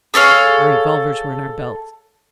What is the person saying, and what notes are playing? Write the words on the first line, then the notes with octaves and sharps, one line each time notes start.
Our revolvers were in our belts.
G#4 A4 C#5 F5